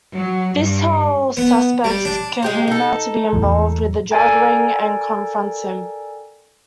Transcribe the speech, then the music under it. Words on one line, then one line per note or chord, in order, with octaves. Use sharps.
Vishal suspects Khanna to be involved in a drug ring and confronts him.
F#3
G2
B3
G3
D4
G#3 G4 C5
D#4 A4
E2 A2 E3
A4 A#4 D5 G5 G#5 A#5